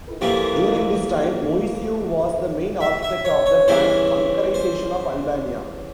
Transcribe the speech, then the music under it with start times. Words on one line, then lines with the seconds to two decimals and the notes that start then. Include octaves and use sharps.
During this time Moisiu was the main architect of the bunkerisation of Albania.
0.21 F2 E3 G3 A#3 F4
2.81 E5
3.03 E5
3.25 C#5
3.46 C#5
3.68 E2 E3 G3 C#4 E4 C5
4.54 C5